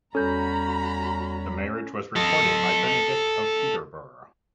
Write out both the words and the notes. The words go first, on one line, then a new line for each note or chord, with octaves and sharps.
The marriage was recorded by Benedict of Peterborough.
E2 G3 C#4 F#4 A4 A#5 B5 G6
A4 D#5